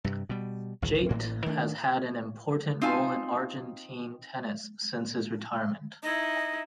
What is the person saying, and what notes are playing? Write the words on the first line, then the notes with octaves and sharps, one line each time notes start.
Jaite has had an important role in Argentine tennis since his retirement.
G2 C3
B2 G3
G#1 C#2 A2 F#3
A1 A2 A#3
D#3 A3 A#3 D4
C4 D#4 F4 F5 G#5 A5
D#4 E4 D#5